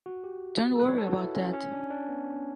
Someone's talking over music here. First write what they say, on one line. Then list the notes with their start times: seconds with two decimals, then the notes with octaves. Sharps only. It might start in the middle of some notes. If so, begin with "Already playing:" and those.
Don't worry about that.
0.06 F#4
0.24 G4
0.75 A4
0.79 B4
0.89 C#5
0.98 A4
1.07 F#4
1.17 E4
1.35 C#4
1.53 C#4
1.72 D4
1.90 D4
2.09 B3